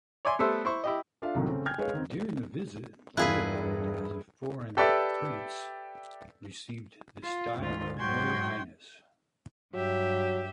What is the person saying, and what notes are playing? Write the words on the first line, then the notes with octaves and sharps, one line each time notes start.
During the visit, Leopold, as a "foreign prince", received the style of "Royal Highness".
C#5 D5 E5 G#5 C6
G3 A3 B3 A4 C5 E5
E4 C5 C#6
E4 G4 D#5
D4 F4 A4 E5 F5
C2 F#2 A2 C3 D#3 F3
C#3 A3 C4 C#4
G5 G#5 F6 G6 G#6
G#3 G#4 B4 C#5 F5
D#3 C4
E1 G2 E4 F4 G#4 B4 F#6
G4 A4 B4 D5 E5
F4
D2 G#2 F4
G#2 F#3 F#4 G5 C6 G#6
G2 F#3 G4 E5